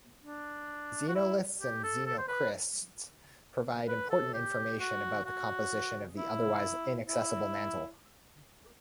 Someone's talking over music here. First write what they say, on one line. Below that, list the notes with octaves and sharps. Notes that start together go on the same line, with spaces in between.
Xenoliths and xenocrysts provide important information about the composition of the otherwise inaccessible mantle.
D4
F#4
E4
G4
A4
A4
C5
B4
B4
A4
G4
F#4
F#4
E4
E4